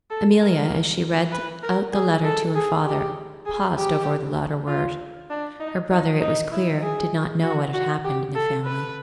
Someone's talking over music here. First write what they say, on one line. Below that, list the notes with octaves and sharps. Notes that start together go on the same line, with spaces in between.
Amelia, as she read out the letter to her father, paused over the latter word; her brother, it was clear, did not know what had happened in the family.
A4
A#4
B4
A#4
G#4
A4
G#4
G4
G#4
G4
F4
D4
D#4
D#4
D#4
E4
G#4
F#4
F#4
G4
A4
B4